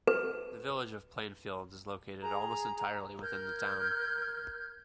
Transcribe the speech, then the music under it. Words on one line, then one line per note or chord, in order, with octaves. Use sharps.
The Village of Plainfield is located almost entirely within the town.
B4
G#4 A#5
A#4 F6 G6 G#6